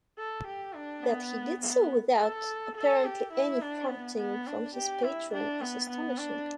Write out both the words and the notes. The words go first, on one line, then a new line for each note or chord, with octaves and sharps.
That he did so without, apparently, any prompting from his patron is astonishing.
A4
G4
D4
B3
B3
A4
A4
G4
E4
D4
B3
B3
D4
G4
E4
D4
B3
B3
D4